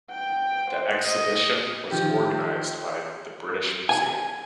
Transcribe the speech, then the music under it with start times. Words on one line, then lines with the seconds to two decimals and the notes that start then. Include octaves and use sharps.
The exhibition was organized by The British Museum.
0.10 G5
0.71 C5
0.99 D#5
1.91 D#3 F3 G4
3.89 G#5